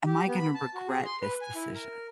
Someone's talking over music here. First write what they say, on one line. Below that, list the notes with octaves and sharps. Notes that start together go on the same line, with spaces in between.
"Am I gonna regret this decision?"
G4
B3
B5
A5
F#4
G#4
C6
B4
G#5
E4
A#4